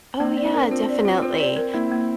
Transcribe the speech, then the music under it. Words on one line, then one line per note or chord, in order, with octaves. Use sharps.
Oh, yeah, definitely.
A#3 C4
D5
D4
A#4
C4 F4
D5
F4
C4 F4
D5
A#4
A#3 C4 E4
A#3